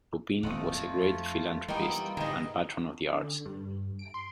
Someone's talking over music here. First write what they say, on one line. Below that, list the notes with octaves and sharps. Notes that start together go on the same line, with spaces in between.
Pupin was a great philanthropist and patron of the arts.
D#1 A3 C4 F4 D#5 F#5
F2
E3 G3 A#3 B3 D#4 G5
G3 E4 F4
G#2 D3 D#3 G3 G#4 D#5
D3
G2
D7
C6